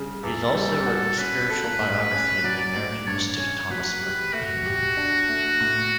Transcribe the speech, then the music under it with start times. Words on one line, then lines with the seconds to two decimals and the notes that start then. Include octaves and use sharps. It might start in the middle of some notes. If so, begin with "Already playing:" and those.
He has also written spiritual biography of the American mystic Thomas Merton.
Already playing: C#3 G3
0.23 E2 A4
0.55 G3 A4
0.86 F#4
1.18 C#4 B4
1.50 A4
1.81 A2
2.12 C#4
2.44 F#3 D5
2.76 A2
3.08 G2 C#5
3.38 C#4
3.70 F#3 B4
4.02 G4
4.34 A3 F#4
4.65 G4
4.97 D4
5.29 A3
5.61 A2